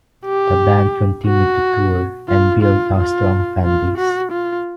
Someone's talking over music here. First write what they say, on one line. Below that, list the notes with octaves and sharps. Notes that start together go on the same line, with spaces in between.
The band continued to tour, and build a strong fanbase.
G4
F#4
F4
F4
F4
F4
F#4
F4